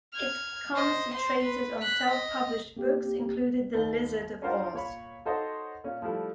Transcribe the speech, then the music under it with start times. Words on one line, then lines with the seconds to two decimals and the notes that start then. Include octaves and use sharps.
It concentrated on self-published books, including The Lizard of Oz.
0.13 F6 G#6
0.73 C5 D#5
1.12 C5 C6
1.43 B4
1.80 F#6 B6
2.11 D#5
2.77 A#3 C4 G4
3.74 D#2 A4
4.42 C#4 D4 F4 F#4 A#4 C5
4.74 A#2 C#5 B5
5.25 D#4 F#4 A4 C5 C#5 D#5
5.84 A#2 C#4
6.02 F3 G3 A3 E4